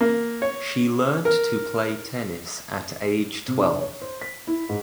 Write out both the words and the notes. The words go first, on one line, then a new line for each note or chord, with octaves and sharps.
She learned to play tennis at age twelve.
A#3
C#5
A#4
C3
D4
C#5
C5
B6
E4
G#2